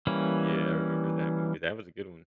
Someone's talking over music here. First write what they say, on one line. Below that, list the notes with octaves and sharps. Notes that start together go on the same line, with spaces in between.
Yeah, I remember that movie. That was a good one.
E3 G3 A#3 C#4